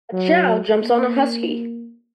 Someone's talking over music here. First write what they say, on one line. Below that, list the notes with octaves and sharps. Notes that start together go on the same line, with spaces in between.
A chow jumps on a huskey.
F#3
A#3